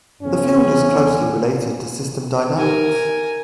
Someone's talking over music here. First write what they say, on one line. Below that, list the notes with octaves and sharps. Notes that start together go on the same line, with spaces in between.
The field is closely related to system dynamics.
E2 C#3 C4 C#4
D#4 G4 A4 A#4 G#5